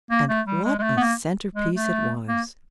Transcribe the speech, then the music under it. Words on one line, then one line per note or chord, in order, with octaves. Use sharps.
And what a centrepiece it was!
A#3
A3
G3
G#3
G#3
A3
B3
A#3
G#3
A3
A#3